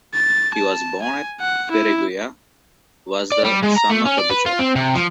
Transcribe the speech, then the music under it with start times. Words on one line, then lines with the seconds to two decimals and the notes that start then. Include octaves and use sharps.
He was born at Perugia, was the son of a butcher.
0.14 A6
0.55 A5
1.02 G#5
1.41 F#5
1.71 E4
3.32 D5
3.45 G3
3.63 G#3
3.76 A#5
3.90 A3
4.05 C#4
4.18 D5
4.30 B4
4.46 F4
4.59 C4
4.76 C3
4.95 F3